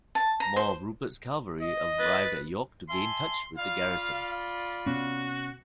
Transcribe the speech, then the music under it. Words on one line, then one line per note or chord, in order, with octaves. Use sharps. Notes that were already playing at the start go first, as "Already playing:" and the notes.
More of Rupert's cavalry arrived at York to gain touch with the garrison.
A5
A#5
C5
D#5
B4 A6
E5 G#5 A5 C6
F4 D5 F5 B5
C3 B3 C#4 F#4